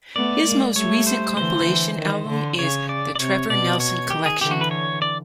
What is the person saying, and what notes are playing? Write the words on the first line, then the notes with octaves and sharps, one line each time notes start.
His most recent compilation album is "The Trevor Nelson Collection".
A3 B3 D5
G#3 A#3
G3 A3 C#5
C5
D3 E3 C5
D#3
D3
C#3 C#5
D5
D5
C3 C#5
B2 D5
C#5
D#3 G4
G#4
D3 E3 G4
F#4
B4
C#5
D5